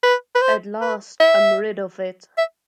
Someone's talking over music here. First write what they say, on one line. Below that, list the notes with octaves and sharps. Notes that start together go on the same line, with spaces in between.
At last I'm rid of it.
B4
B4
C5
B4
E5
E5